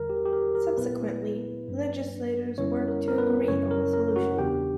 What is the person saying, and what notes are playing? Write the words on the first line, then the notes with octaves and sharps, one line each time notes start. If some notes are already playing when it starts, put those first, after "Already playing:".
Subsequently, legislators worked to agree on a solution.
Already playing: E2 D3 G3 A#4
G4
G4
A#4
A#4
A#2 F#3 B3 E4 B4
G2 F#3 A#3 D4
F#2 D3 G3 C#4 E4 C#5
A#4
A#4
B3 B4
F#2 C#3 F#3 C#4 E4 C#5
A#4
A#4
F#4 F#5
E2 C#3 E3 B3 D4 G4 G5